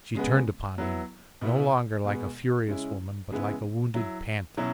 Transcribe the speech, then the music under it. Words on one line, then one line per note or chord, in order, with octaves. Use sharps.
She turned upon him, no longer like a furious woman, but like a wounded panther.
C#3 G#3 B3
F#3 B3 E4
B2 B3 E4
B2 G#3 B3
C#3 G#3 C#4 E4
C#3 G#3 B3 E4
F#3 E4
B2 F#3 C#4 E4